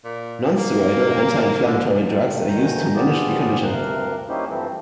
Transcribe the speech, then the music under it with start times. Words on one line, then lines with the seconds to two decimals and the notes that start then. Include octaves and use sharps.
Non-steroidal anti-inflammatory drugs are used to manage the condition.
0.04 A#2
0.57 A#3
1.66 D3
2.07 G2 D#3
2.49 D2 B2 D#3 G#5 A#5 G6
2.95 F3 B3 F4 G4 G#4 D5
3.65 D2 G2 C3 A#4 F5 F#6
4.29 A#3 C#4 D#4 E4 G4 C5
4.48 G2 E3 F3 G3 A3 C4